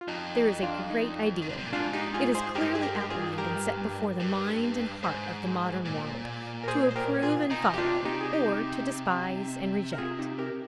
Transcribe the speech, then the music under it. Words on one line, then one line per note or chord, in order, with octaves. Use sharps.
There is a great ideal. It is clearly outlined and set before the mind and heart of the modern world, to approve and follow, or to despise and reject.
F4
F2 D#4
D#4
D4 F4
D#4
D#3
D3
C3
A#2
G#2 D4 F4
D#4 G4
F4 G#4
G#4 C5
G2 G4 A#4
G#4
G4 A#4
G4
F4 G#4
G4 A#4
G2
G#2 G#4 C5
A#2
A#4
G#4 C5
C5
G4 A#4
F4 G#4
C3 D#4
G4
D4 F4
D#4 G4
G#4
D#4 G4
A#4
F4 G#4
D#4 G4
G4 A#4